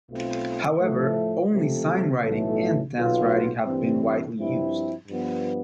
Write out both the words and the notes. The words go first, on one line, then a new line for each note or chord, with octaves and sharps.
However, only SignWriting and DanceWriting have been widely used.
B1 B2 A3 C4 F4
A2 F3 A3
C3 F3 A3
B1 A2 E3 A3
B1 B2 B3 F4
G2 E3 G3 C4
G2 F3 C4 E4
G2 F3 B3